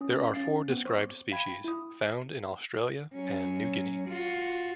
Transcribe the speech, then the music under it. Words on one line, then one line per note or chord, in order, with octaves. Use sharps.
There are four described species found in Australia and New Guinea.
C#4 D#6
C#4 F5 A6 C7
B3 C4
C5 C#6 D6
F5 G5 B5 G#6
E4 D#6
F#3 C#4
F4 F#4